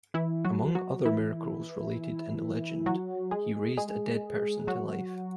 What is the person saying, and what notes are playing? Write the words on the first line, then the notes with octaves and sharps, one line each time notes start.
Among other miracles related in the legend he raised a dead person to life.
E3 E4
F#3 F#4
F#3 F#4
E3 E4
F#3 F#4
G#3 G#4
G#3 G#4
F#3 F#4